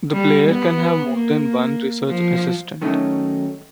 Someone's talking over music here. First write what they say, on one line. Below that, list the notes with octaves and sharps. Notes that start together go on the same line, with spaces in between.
The player can have more than one Research Assistant.
G3
B3
A#3
F3
D#3 F#3 A3 C#4 D#4